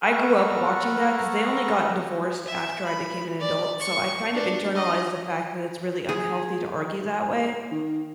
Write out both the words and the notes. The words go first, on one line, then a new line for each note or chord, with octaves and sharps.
I grew up watching that, 'cause they only got divorced after I became an adult, so I kind of internalized the fact that it's really unhealthy to argue that way.
A4 B4 F#5 A#5 C#6 F6
E5
B5
D5
C#6
D4
D#5
G#4
D#3